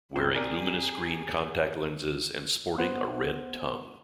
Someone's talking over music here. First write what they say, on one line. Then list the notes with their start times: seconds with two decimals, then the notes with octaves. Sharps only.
Wearing luminous green contact lenses, and sporting a red tongue.
0.16 G1 C4
0.35 G4 G#4 A#4 D5
2.78 B3 C5 F#5